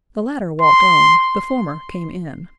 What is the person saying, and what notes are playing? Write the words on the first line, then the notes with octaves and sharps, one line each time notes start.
The latter walked on; the former came in.
C6